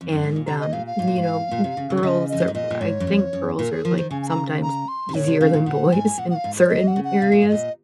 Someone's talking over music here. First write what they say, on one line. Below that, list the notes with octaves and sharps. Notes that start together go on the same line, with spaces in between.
and um, you know, girls are I think girls are, like, sometimes easier than boys in certain areas.
F2
F#2
G#2
A#2
C3 A#5
D#5
A#2 F5
F5
G#2
A#2
G#2
A#2
C3
C#3
C#3
D#3
C#3 D#5
F2 D#5
F#2
G#2
A#2 D#5
A#2
G#2 C#5
F#2
F2
F#2
A#2 A#4
G#4
F3 A#4
D#3 C5
C#3 G#5
G#5
A#5
A#5
C6
C3
A#2 C#5
C3
C#3 F5
A#2
A#2 F#5
G#2 G#5
A#2 F#5
F#5
F5
G#2
C#5
F2 D#5
F#5
C#3
F#5
C3 F5
A#2
G#2
A#2 D#5